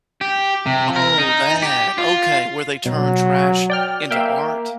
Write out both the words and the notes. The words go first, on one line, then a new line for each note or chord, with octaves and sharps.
Oh, that, okay, where they turn trash into art?
G4
C3
A#4
D#4
G4
F4
B2 F#3
D5 G5 F6
A#3 E5 F5 G5